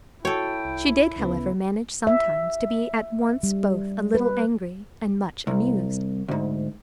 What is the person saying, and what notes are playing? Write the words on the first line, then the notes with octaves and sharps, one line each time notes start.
She did, however, manage sometimes to be at once both a little angry and much amused.
E4 F#4 A4 C#5 G5
C2
D2 C#3 B3 B4
E5
G3
B4
C2
D2 G#2